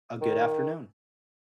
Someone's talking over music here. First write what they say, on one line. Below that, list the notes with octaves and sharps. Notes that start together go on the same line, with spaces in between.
a good afternoon.
D#3